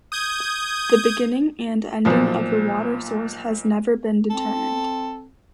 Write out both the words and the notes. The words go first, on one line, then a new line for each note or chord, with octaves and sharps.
The beginning and ending of the water source has never been determined.
D#6 G6 G#6
B1 A#2 F3
C4 A4